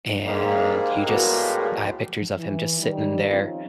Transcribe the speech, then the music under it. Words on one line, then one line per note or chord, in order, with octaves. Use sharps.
And you just I have pictures of him just sitting in there,
G#2 G3 G#3 A#3
A2 B3 F#4 A4
E3
D#3 G3
F3 G3 C4 C#4 D#4 F4